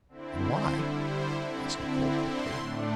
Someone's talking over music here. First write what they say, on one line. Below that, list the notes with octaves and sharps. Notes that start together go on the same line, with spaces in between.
"And why?" asked Nicholl quickly.
D3 C4 E4
C5
D3 G3 E4 A4
C5
D3 C4 E4
D3 C4 E4 D5
C6
A2 A3 D4